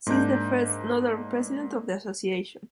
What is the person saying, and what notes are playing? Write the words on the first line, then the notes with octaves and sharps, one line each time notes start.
She is the first Northern President of the association.
G#2 A#3 D4 G6